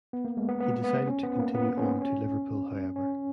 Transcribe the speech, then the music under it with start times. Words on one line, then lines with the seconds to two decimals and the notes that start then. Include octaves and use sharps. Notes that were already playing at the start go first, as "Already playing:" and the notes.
He decided to continue on to Liverpool however.
0.13 B3
0.25 A#3
0.37 G#3
0.48 B3
0.60 B3
0.84 B3
1.07 C#4
1.23 B3
1.39 A#3
1.54 B3
1.77 C#4
2.01 C#4
2.96 C#4